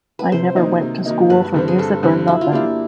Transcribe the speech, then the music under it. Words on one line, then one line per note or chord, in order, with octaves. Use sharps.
I never went to school for music or nothin'.
B4
C3 C5
D#3 F#3 A#3 D#4
C3
D#3 F#3 A#3 D#4
G2 B4
D3 G3 C4
G#4
G2 A4
D3 G3 C4
F#3 E4
F4
A#3 D4 E4 G4